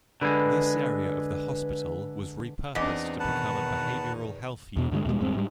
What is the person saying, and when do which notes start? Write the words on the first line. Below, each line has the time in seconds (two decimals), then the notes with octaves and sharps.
This area of the hospital was re-purposed to become a Behavioral Health Unit.
0.21 D3 G#3 B4
2.75 E2 C4 D4 D#4 D#5
3.20 B2 D#3 D#4 B4 F#5 A5
4.77 E2 B2
4.91 G2 D3 F#3 G#3
5.05 E2 B2 G3 G#3
5.21 D#1 G2 G#3 C4
5.35 G#2 G3